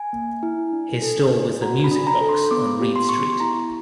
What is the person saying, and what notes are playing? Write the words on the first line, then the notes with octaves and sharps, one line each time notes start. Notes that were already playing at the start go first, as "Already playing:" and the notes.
His store was the Music Box on Reid Street.
Already playing: G#5
A#3
E4
D4
A4
D4
F#4 A#5
B5
D4
A#5
A4
C6
B3 D6
G4
C6
B3 C#6
C6
E4 A#5